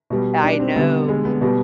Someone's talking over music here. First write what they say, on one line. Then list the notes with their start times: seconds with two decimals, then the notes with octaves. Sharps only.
I know,
0.10 B2 G3
0.43 D4
0.60 C4
0.76 D3 G3 B3
1.08 G#3
1.25 B3
1.41 B2 G3